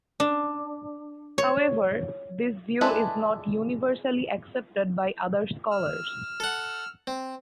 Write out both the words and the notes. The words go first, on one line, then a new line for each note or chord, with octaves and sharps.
However this view is not universally accepted by other scholars.
D4
C#5
G#3 D4 E4 A4 B4
E6 F6
A4 F#5
C4